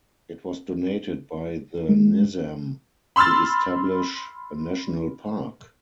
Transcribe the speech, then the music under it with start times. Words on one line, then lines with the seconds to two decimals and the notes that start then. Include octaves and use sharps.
It was donated by the nizam to establish a national park.
1.89 G#3
3.16 B5 C6 E6 F6 A6